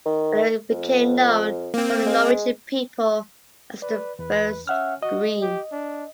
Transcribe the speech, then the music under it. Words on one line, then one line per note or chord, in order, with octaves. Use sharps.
And it became known for the Norwegian people as the first “green”.
D#3
F2
A#3 C4
G#3
B4 D5
E2 B4
C#4 E5 F#5 F6
F#4 D#5
G4
D4